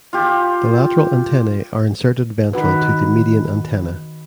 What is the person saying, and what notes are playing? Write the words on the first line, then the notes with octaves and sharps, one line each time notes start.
The lateral antennae are inserted ventral to the median antenna.
F4 G4
D#3 D#4 F#4 B4